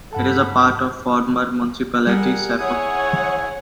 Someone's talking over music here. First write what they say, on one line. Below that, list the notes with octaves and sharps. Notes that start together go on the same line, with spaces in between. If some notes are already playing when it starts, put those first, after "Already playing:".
It is part of the former municipality Cepo.
G2 A4 F#5 A5 B5
G3 G#4 A#4 F#5
E4 G#4 C#5 F#5 G#5 D#6